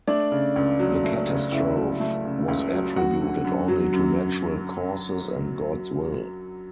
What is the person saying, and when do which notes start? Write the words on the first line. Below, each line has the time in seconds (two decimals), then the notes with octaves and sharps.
The catastrophe was attributed only to natural causes and "God's will".
0.07 A3 D4 D5
0.32 C#3
0.56 C#2
0.80 F#3
1.04 A3
1.28 C#3
1.52 C#2 E4 E5
1.76 F#3
2.00 A3
2.24 C#3
2.48 C#2
2.72 F#3
2.96 F#2 F#4 F#5
3.21 D3
3.44 F#2
3.68 F#3
3.93 F#2